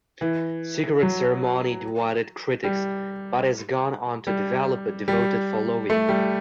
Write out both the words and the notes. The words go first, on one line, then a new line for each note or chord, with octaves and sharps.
"Secret Ceremony" divided critics, but has gone on to develop a devoted following.
E3
F#3
G3
G3
G3
A3
G3